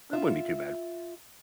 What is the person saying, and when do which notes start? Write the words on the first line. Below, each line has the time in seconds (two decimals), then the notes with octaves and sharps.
That wouldn't be too bad.
0.13 F4 E5